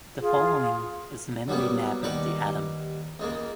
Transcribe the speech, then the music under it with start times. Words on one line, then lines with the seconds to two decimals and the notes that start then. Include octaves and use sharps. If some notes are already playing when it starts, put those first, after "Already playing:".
The following is the memory map for the Atom.
0.21 F4 G#4
1.48 F#2 F#3 G3 A#3 B3
2.03 D#2 G3 B4 D5 F#5 A#5
3.19 C#2 G#3 A#3